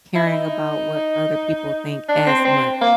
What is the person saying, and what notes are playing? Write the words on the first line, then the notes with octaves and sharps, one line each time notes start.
caring about what other people think as much.
E4
D#4
D4
C4
C4
A#3